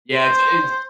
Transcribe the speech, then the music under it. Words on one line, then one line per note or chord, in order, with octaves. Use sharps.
Yeah, it's it's
C5